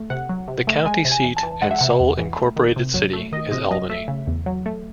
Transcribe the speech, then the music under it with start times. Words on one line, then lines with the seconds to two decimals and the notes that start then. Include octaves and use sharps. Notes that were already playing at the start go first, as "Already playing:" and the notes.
The county seat and sole incorporated city is Albany.
Already playing: A3
0.10 C3 F#5
0.29 F#3
0.48 C3
0.67 A3
0.86 G#3 G#5
1.05 C3
1.12 G#5
1.24 E2
1.37 A5
1.43 E3
1.62 G#3 F#5
1.71 E5
1.79 C3 F#5
2.00 E2
2.19 E3
2.37 A3
2.56 D#3
2.76 C3
2.94 F#3
3.13 A3
3.33 D#3 D#5
3.51 C3 D#5
3.71 F#3 D#5
3.90 A3 E5
4.08 C#3
4.27 E2
4.46 F#3
4.66 A3